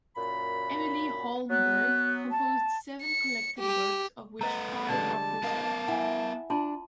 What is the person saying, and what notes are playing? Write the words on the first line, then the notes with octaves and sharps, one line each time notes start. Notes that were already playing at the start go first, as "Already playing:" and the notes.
Emilie Holmberg composed seven collected works of which five are preserved.
F#2 A#2 B5
F#3 B3 F#6
A5
C#7
G4
A3 B4 D#5 F#5 A#5
D3 G3 G#3 D5 A5
B3 A#4 D#5 F5
E4 F#5 G#5
D4 F4 A5 C6